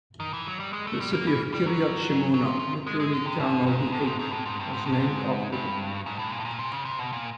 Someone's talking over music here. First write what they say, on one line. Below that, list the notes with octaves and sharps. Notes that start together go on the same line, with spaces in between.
The city of Kiryat Shemona, literally "Town of the Eight" was named after them.
D#3
E3
F#3
G3
G#3
A3
G3
A#3
E3
G3
F#3
F#3
F3
F3
G#3
G#3
D3
C3
B2
G#2
A2
G#2
G#2
A2
G#2
G2
G#2
A2
G2
G#2
G2
G#2
A2
A#2
A2
A#2
C3
C#3
C3
B2
A#2